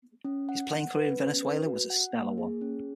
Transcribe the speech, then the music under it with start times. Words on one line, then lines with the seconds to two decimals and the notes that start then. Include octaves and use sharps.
His playing career in Venezuela was a stellar one.
0.25 C#4
0.49 F#5
0.71 F#5
0.95 B4
1.19 C#4
1.43 B4
1.66 F#4
1.90 F#5
2.13 A#3
2.38 G#4
2.61 C#4